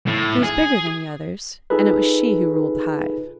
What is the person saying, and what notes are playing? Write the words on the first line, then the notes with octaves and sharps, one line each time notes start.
She was bigger than the others, and it was she who ruled the hive.
A2
G#4
D#4 F4 G#4 A4 B4